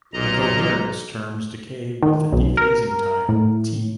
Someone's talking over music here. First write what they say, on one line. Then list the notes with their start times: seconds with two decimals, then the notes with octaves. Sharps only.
The coherence terms decay with the dephasing time, "T".
0.13 B1 A#2 D#5 A#5
2.03 D#3
2.33 B1
2.57 A#4
3.29 A2